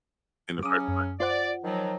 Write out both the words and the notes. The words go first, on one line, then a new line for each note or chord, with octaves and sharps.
In the first
C#3 F#3 C#4 D6 D#6
F#2
F4 C5 D5 F#5
D#3 F3 F#3